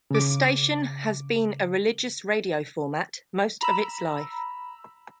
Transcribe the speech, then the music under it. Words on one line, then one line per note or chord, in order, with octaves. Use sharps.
The station has been a religious radio format most of its life.
C#3 D6
A#5 B5 E6